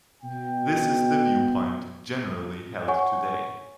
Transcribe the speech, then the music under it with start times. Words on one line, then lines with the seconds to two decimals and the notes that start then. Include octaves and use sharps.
This is the viewpoint generally held today.
0.23 B2 G5
2.88 C#5 F#5 G#5 C#6